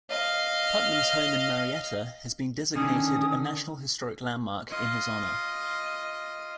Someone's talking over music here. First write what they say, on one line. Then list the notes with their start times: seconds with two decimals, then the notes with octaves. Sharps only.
Putnam's home in Marietta has been designated a National Historic Landmark in his honor.
0.10 D#5 F5
2.76 D3 D#3 C#4 D#6
4.70 F4 D#5